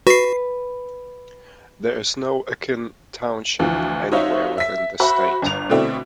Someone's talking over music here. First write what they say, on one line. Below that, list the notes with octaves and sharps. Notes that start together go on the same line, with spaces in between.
There is no Akin Township anywhere within the state.
F#4 B4 C7
D2 E3 F3
D#4 F4 F#4 C5 C#5 E5
E5 B6
F#4 C5 E5 B5
G1 F7
B2 D3 A3 C4 D4 E4